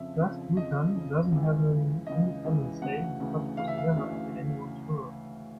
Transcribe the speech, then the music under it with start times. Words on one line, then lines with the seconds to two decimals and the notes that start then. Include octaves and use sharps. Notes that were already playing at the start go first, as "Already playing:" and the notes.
Thus Bhutan doesn't have an Independence Day because it was never under anyone's rule.
Already playing: F2 C#3 F3 E5
0.19 F2 C#3 F3
0.57 F2 C#3 F3 D#5
0.95 F2 C#3 F3
1.32 C#2 C#3 E3
1.70 C#2 C#3 E3
2.07 C#2 C#3 E3 D#5
2.45 C#2 C#3 E3
2.82 D2 C#3 E3 F#5
3.20 D2 C#3 E3
3.57 D2 C#3 E3 F5
3.67 E5
3.78 F5
3.95 D2 C#3 E3